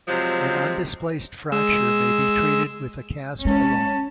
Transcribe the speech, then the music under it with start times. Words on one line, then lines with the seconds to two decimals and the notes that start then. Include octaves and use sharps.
An undisplaced fracture may be treated with a cast alone.
0.07 C3 F3 F#3 G#3
1.52 G#3 E6
3.45 G#3 C#4 A5